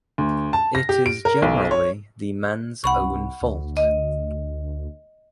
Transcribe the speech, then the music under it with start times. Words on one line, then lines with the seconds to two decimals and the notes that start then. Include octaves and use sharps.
It is generally the man's own fault.
0.18 D2
0.53 A5
0.75 A#6
0.89 G4
1.06 D7
1.25 A#4
1.42 B1
1.71 C#5
2.84 C2 F#5 B5 C#6
3.41 D2
3.77 D#5